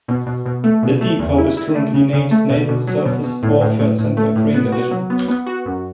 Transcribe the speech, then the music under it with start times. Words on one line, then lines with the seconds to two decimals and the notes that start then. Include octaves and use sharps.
The depot is currently named Naval Surface Warfare Center Crane Division.
0.08 B2
0.26 B2
0.46 B2
0.64 A3
0.83 B2
1.01 A3
1.19 E2
1.38 E4
1.57 E4
1.75 A3
1.94 C#3
2.13 C#3
2.31 A3
2.50 B2
2.68 B2
2.87 F#3
3.05 B2
3.24 B2
3.43 A2
3.61 A2
3.79 A2
3.98 A2
4.17 A3
4.36 A2
4.54 B3
4.72 F#4
4.91 F#3
5.10 B3
5.28 B3
5.46 F#4
5.66 F#2